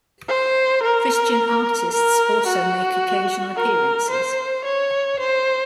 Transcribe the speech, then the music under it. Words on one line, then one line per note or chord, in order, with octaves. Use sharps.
Christian artists also make occasional appearances.
C5
A#4
A#4
F#4
A#4
C5
C#5
C5